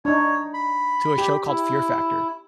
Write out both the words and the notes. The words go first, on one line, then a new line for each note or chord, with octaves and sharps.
to a show called Fear Factor.
D4 D#4 C#5
B5
G4
E4